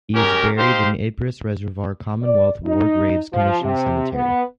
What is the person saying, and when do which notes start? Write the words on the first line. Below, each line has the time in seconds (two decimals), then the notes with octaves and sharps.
He is buried in Ypres Reservoir Commonwealth War Graves Commission Cemetery.
0.14 G#3 C#4 G4 A#4
0.56 D#4 G4 C5 F5 C6
2.22 D5
2.65 D#4
3.32 F3
3.62 C3
4.13 B3